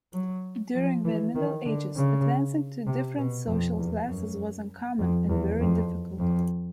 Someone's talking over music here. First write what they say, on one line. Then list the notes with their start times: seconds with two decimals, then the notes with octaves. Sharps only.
During the Middle Ages, advancing to different social classes was uncommon and very difficult.
0.13 F#3
0.75 F3
1.04 E3
1.35 D#3
1.65 D3
1.96 C#3
2.86 C3
3.17 B2
3.47 F2
3.78 E2
4.07 F#2
4.99 F2
5.29 E2
5.59 F2
6.19 F2